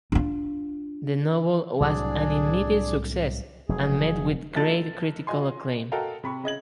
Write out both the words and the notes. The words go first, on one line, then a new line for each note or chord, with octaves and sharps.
The novel was an immediate success and met with great critical acclaim.
D4 F4
C2 A2 F#3 D4 G#4 D5
F1 F#3 G#4
B1 F3 A3 D#4 A5 A6
F4 F#4 D#5 G#5 C6
F#4 A4 A#4 D#5 F5 G5
C3 B5 C#6
C#3 D#5 G#6 F#7